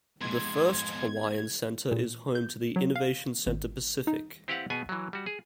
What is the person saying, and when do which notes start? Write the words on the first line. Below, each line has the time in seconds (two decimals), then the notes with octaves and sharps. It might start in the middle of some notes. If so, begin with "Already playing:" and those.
The First Hawaiian Center is home to the Innovation Center Pacific.
0.21 F2 G#2 G#3 B3 C6 G#6
1.91 A#2
2.35 G6
2.76 F#3
2.96 F5
3.46 G#1
4.07 D#4
4.48 C4 E4 G4 B4 F5 F#5
4.70 B2 B3 G#4 G#5
4.89 E3 F#3
5.13 G3 F#4
5.26 G#4